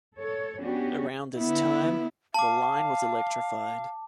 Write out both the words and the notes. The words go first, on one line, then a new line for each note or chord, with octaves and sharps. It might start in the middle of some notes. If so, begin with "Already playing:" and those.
Around this time, the line was electrified.
A4 C#5
B3 C#4 D4 F#4 G4
D3 B3 E4
F5 A5 D6